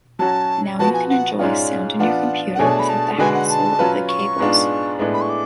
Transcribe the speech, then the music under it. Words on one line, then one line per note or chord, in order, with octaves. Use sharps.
Now you can enjoy sound in your computer without the hassle of the cables.
F#3 C#4 F#4 A5
F3 B3 F#4 B4 A5
G#5
F#5
G#2 G#3 C#4 F4 D5
F3 B3 D4 F4 F#5
F#5
B2 A3 D4 G#4 C#5 G#5
A5
B5
A5
D3 G#3 D4 F#4 B4 G#5
F#5
A5
F#3 C#4 F4 B4
C#6
G#2 G#3 B3 D4 F4
A2 G#3 B3 D4
B5
C#6
D6